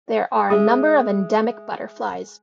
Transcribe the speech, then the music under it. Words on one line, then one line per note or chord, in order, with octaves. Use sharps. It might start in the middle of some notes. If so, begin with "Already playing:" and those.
There are a number of endemic butterflies.
G#3 E5 D#6